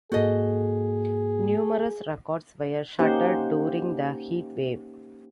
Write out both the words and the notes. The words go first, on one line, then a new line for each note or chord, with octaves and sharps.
Numerous records were shattered during the heatwave.
G#2 A#3 F#4 G#4 A4 D#5
A#3 C#4 D#4 G4 C5 F#5